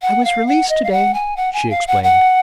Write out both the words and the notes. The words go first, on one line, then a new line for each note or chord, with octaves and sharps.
"I was released to-day," she explained.
F#5
F5
F#5
D#5
F5
F#5
G#5
F#5
G#5
F5
F#5
F#5